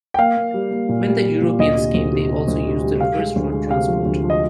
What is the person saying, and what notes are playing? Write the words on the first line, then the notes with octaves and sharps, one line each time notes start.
When the Europeans came they also used the rivers for transport.
G5
A#3 F5
A#3
G3
A#3
A#2
G3
G3
A#2
D2 D#5
C3
D2
C3
C3
D2
C3
G3
C3 F5
G#3
D2
G#3
C3 F5
F3
D2
F3
D#5